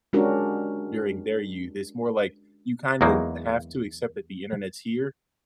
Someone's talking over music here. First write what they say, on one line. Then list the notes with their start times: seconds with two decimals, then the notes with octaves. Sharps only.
during their youth, it's more like you kinda have to accept that the internet's here,
0.13 G#3 C#4 D4 F#4 G4 A#4
3.01 E2 F#3 G#3 A#3 D#4